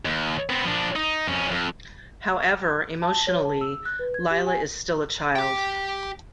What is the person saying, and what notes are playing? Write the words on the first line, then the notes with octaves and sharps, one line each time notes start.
However, emotionally Leila is still a child.
D#2
B3 C4
F3 D4
D#4
F2 C#4
F2
A5
C#5
A5
E6
F#6
B4
G#6
G4
G#5
G4 G5